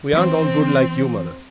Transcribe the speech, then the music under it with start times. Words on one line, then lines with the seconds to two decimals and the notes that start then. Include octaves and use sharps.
We aren't all good like you, mother.
0.13 E3 C4